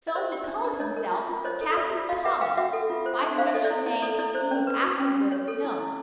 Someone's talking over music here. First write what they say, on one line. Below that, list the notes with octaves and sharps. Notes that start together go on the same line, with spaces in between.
So he called himself Captain Thomas, by which name he was afterwards known.
D#5
C5 D5 E5
G4
D4
D4
C#5 D#5
A#4
F4
F4
C5 C#5 D#5
A4
F4 D5 E5
F4
F#4 D#5 F5
B4 E5 F#5
B4 F5 G5
F#4 E5 F#5
A4
F4
C5
D4
C5 F5
E5
A4 D#5
D5 E5
E4
E4
A4 D5
E4 D5
C5 D5
C#4 D5
B4
F#4
C#4
C#4
C#5
A4
E4
E4